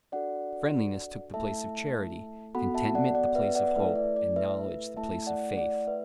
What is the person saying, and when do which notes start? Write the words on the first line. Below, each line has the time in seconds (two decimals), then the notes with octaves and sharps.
Friendliness took the place of charity, contentment the place of hope, and knowledge the place of faith.
0.12 D4 F#4 A4 D5 F#5
1.34 A3 E4 A4 E5 A5
2.55 B3 F#4 A4 F#5 B5
2.75 E5 A5
2.95 D5 F#5
3.15 D5 F#5
3.35 B4 E5
3.55 D5 F#5
3.76 A3 E4 A4 B4 E5
3.96 D5
4.16 D5
4.36 B4 E5
4.97 A3 E4 A4 E5 A5
5.27 D5 F#5
5.57 D5 F#5
5.87 B4 E5